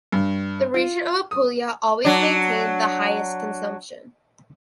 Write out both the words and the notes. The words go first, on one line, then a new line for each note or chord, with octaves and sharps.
The region of Apulia always maintained the highest consumption.
G2
F4
D#6
F#3 D4